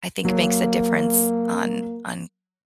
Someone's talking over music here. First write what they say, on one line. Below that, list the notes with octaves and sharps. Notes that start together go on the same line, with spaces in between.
I think, makes a difference on on
F#3 A#3